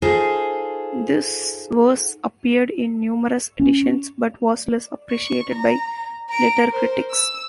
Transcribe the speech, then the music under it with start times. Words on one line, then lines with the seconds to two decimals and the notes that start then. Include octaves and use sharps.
This verse appeared in numerous editions, but was less appreciated by later critics.
0.02 D#4 F4 G#4 A4 C5
3.59 C#4
5.11 C#6
5.53 A#5
6.30 A#5 D7
6.70 A#4 C5
7.11 E6